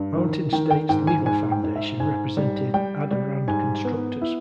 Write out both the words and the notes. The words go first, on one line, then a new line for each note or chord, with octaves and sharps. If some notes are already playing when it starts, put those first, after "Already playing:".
Mountain States Legal Foundation represented Adarand Constructors.
Already playing: G2
D#3
D#3 G5
G5
G#2 G5
G#5
G#2 G#5
G5
G#2
E5
G#2 G#5
G3
G3 G5
G3
G#2 G#5
B3
E4